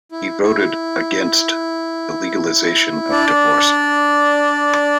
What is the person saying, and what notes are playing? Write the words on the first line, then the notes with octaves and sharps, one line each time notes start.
He voted against the legalization of divorce.
E4
E4
D4 D5